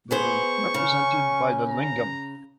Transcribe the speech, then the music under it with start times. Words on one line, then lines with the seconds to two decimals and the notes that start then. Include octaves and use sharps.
They were represented by the "lingam".
0.11 B3 G#4 C5 C#6
0.74 C#3 C#4
1.69 A#5